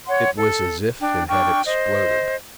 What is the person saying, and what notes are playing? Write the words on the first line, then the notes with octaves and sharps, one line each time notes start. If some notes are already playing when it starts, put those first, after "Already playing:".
It was as if it had exploded.
C#5 F#5 C6
A4
D4 G5
D4 G5 C#6 F6
C5 D#5